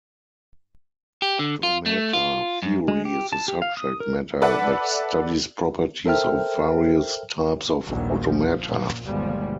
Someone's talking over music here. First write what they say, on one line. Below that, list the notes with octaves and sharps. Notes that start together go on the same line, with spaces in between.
Automata theory is a subject matter that studies properties of various types of automata.
G4
D3
F4
A3
F4
F#2
G#3
G4
A5
G4
F5
D#6
A#4
A4 B4 D5 E5 F#5
A4 A#4 C5 E5 G5 F6
A#1 D#2 A#2 D#3 F#3 G3
F3
F#2 A#2
G1 D#2 B2 F3 G3 G#3